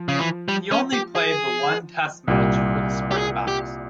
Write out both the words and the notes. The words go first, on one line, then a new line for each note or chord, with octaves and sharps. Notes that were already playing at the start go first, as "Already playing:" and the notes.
He only played the one test match for the Springboks.
Already playing: F3
C#3
E3
G3
C#4
G4
G#4
C2 A#2 G3
G4
G#4
G4